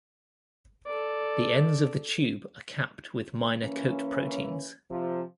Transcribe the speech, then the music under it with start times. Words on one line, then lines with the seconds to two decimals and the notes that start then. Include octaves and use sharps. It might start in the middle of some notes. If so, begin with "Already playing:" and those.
The ends of the tube are capped with minor coat proteins.
0.87 A4 D5
3.61 E3 A#3 C#4
4.90 C3 F3